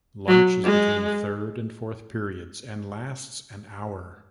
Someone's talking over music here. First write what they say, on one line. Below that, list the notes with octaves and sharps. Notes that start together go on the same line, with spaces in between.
Lunch is between third and fourth periods, and lasts an hour.
F#3
G#3